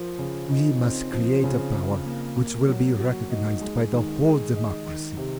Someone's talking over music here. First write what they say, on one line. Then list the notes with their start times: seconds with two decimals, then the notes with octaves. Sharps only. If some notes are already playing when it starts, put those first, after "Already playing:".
We must create a power which will be recognised by the whole democracy.
Already playing: F3 A#4
0.19 C#3
0.50 D#4
0.81 C4
1.12 F3
1.44 C#3
1.74 C#3
2.06 A#3
2.37 A#3
2.68 F#3
2.99 F#4
3.30 D#4
3.61 G#3
3.92 D#3
4.23 G#4
4.55 D#4
4.86 D#3
5.17 C3